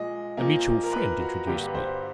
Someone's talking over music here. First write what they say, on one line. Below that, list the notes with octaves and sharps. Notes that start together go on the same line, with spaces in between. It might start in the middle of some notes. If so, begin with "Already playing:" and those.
A mutual friend introduced me.
Already playing: A#2 F3 G#3 D#5
A#2 F3 A#3
A#4
B4
F#4
G2 D3 G3 A#3 G4
B4
C5